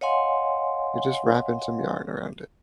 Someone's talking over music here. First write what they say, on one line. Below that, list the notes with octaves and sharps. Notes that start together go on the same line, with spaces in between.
you're just wrapping some yarn around it,
C#5 D#5 F5 F#5 G#5 C6